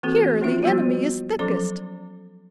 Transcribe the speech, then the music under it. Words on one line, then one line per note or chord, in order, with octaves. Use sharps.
Here the enemy is thickest!
E3 A#3 C4 F#4 A4
F3 A#3 C#4 D#4 F4 E5
F3 G3 B3 F#4
F3 F#3 C#4 A4 D5 D6